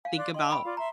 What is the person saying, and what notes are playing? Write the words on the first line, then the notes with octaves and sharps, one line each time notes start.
think about“
F5 G#5
D5 C6 F#6
D#5 G5 C6
B5 E6
F4 D5 F5
E5 A#5 C6